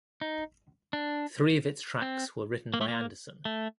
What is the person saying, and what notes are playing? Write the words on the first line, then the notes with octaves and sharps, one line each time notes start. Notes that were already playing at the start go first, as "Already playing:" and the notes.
Three of its tracks were written by Anderson.
D#4
D4
C4
A#3
A3
A#3
A3